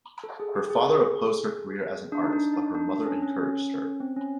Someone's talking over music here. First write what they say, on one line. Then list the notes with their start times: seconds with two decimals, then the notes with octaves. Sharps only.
Her father opposed her career as an artist, but her mother encouraged her.
0.24 A4
0.40 G#4
0.55 G4
0.70 G#4
2.12 D4
2.24 D#4
2.33 D4
2.54 D#4
2.75 D4
2.90 D4
3.06 C#4
3.22 C#4
3.38 C#4
4.00 C4
4.16 C#4